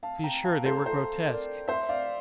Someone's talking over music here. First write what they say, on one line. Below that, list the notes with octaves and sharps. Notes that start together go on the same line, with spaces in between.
Be sure they were grotesque.
F5 A5
G5 A#5
F5 A5
A4 C5
A4 C5
A#4 D5
C5 E5
D5 F5